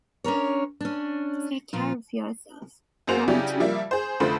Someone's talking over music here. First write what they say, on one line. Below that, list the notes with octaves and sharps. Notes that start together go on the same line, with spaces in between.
Take care of yourself, won't you?
C#4 D4 A#4 C#5
C#4 D4
A#2 F3 F4
F#2 A#3 F#4 G#4 C5 F7
C#3 F#3 C#4 D4 E4 G4
F3 G3 A#3 E5
G#4 C5
F1 D3 A3 F4 C5 B5